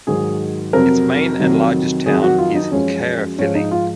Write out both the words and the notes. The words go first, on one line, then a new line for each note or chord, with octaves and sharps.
Its main and largest town is Caerphilly.
G#2 D#3 F#3 G#4
F2 C3 F#3 A#4
F2 C3 D#3 F#3
F2 D#3 F#3 G#4
F#4
F4
D#4
F#2 F3 G#3 C#4
G#2 F3 G#3 C#4
D#4
F4